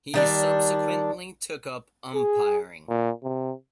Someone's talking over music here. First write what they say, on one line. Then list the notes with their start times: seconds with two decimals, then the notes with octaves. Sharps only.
He subsequently took up umpiring.
0.14 D#3 G3 D4
2.14 G#4
2.88 A#2
3.23 C3